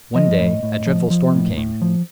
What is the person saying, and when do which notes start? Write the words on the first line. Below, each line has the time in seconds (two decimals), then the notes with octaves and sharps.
One day a dreadful storm came.
0.15 F3 D#5
0.40 A2
0.63 A2
0.86 F3
1.10 F3
1.34 A2
1.57 A2
1.81 F3